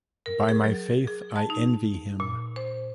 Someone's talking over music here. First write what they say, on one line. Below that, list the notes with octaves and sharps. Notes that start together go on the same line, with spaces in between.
By my faith, I envy him.
A#4
G#4
F#3
G#4
A5
D#4
A#2
C5